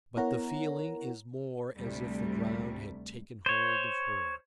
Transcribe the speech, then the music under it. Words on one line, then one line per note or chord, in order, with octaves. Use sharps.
But the feeling is more as if the ground had taken hold of her.
B3 E4 A#4 C#5 F#5 A#5
D2 C3 G3 A3
C5 C#5